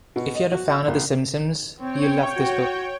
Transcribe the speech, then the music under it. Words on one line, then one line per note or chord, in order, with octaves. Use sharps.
If you're a fan of "The Simpsons", you'll love this book.
B2
D#5
F#4
E6
A#1
C4 C#5 G5
F#4